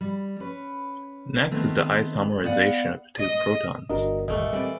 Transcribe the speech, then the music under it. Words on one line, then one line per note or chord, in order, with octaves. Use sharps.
Next is the isomerization of the two protons.
G3
C#4 B4
D#3 A3 B3 C4
B3 D5 F5 F#5
D#5
G1 D4 F#4 A#4 D#5
G1 D#2 A#2 G3 A3 D#5
E3 G3 C4 D5